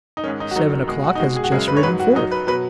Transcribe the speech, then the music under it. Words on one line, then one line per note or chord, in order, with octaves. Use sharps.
Seven O'clock has just ridden forth.
D#4
G#2 D#3 G#3 C#4
D#4
F#4
F#2 D#3 F#3 D#4
B2 G#3
F#4
D#4
B2 G#3 F#4
G#4
F#4
F#2 C#3 G#3 G#4
B4
C#5
G#2 F#3 B4
F#4
F#2 F#3 D#4
B4
B2 F#3 B4